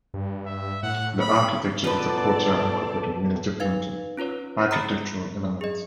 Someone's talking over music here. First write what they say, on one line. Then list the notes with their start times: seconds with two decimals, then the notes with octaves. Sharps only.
The architecture of the courtyard incorporated many different architectural elements.
0.14 G2
0.46 E5
0.83 A2 F#5
1.21 B5
1.84 B2 F3 A4 B4 C5 D5 A5
3.60 D#4 B4 F5 G#6
4.17 C#4 F4 B4 C#5
4.71 A#5 B5 D#6 A6
5.61 G#4 D#5